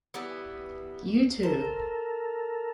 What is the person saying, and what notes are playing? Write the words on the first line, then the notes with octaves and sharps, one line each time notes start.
You too.
E3 G3 B3
A4 A#4 C5